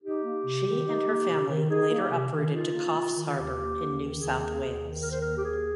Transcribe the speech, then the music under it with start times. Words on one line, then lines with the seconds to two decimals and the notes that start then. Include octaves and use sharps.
She and her family later uprooted to Coffs Harbour in New South Wales.
0.03 D#4 G4
0.24 A#3
0.45 C3
0.65 D#3
0.86 D#4
1.07 A#3
1.28 C3
1.49 D#3
1.69 D#4 G#4
1.91 A#3
1.97 G4
2.11 C3
2.31 D#3
2.53 D#4 F4
2.73 A#3
2.94 C3
3.15 D#3
3.24 F4
3.36 D#2 G4
3.56 A#3
3.77 D#2
3.98 D#3
4.19 D#2 G#4
4.40 A#3
4.60 D#2
4.82 D#3
5.02 D#2 A#4
5.12 C5
5.21 A#3 A#4
5.37 G4
5.44 D#2 G#4